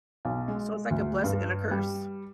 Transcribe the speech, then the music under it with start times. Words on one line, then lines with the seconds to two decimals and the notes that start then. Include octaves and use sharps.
So, it's like a blessing and a curse.
0.25 B1
0.48 G#3
0.91 D2
1.24 G2
1.71 G3